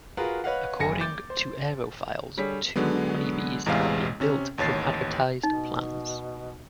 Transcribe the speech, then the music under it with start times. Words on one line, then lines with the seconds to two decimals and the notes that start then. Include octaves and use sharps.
According to Aerofiles two Honeybees have been built from advertised plans.
0.17 F4 F#4 G#4 A#4 B4 F#5
0.44 B4 C#5 D#5 F5 F#5
0.79 F#1 G#5 A#6 C#7
1.01 D6 G6 A6
1.30 C5
2.37 D3 G3 G#4 C#5 B6
2.76 D3 F#3 G#3 B3
3.66 A1 E2 C3 G#3 F5
4.20 C3 C#4
4.58 A1 D#2 C#5 A6 C7
5.43 B2 D#4